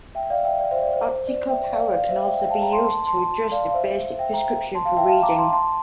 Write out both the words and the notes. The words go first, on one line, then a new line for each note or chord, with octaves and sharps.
Optical power can also be used to adjust a basic prescription for reading.
E5 G5
D5 F5
E5 G5
D5
C5 E5
D5
C5
C5
D5
E5 G5
D5 F5
D5 F5
C5 E5
E5 G5
E5 G5
F5 A5
G5 A#5
A5 C6
A5 C6
A5 C6
D5 F5
F5
C5 E5
E5 G5
G5 A#5
A5 C6
F5 A5
E5 G5
F5 A5
A#5 D6
A5 C6
A5 C6